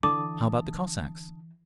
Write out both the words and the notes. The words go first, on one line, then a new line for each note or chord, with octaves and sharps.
"How about the Cossacks?"
D3 E3 A5 D6 D#6